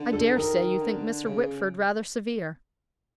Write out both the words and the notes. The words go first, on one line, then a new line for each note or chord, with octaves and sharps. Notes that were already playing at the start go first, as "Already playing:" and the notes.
I dare say you think Mr. Whitford rather severe.
Already playing: D3
A4
D#3 A#4
D3
C#3